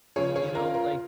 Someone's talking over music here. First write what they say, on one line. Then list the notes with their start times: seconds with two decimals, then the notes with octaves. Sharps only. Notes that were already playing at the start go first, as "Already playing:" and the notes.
you know, like
0.16 C#2 C#3 F3 G#4 C#5
0.36 G#4 C#5
0.55 F4 A#4
0.74 F4 A#4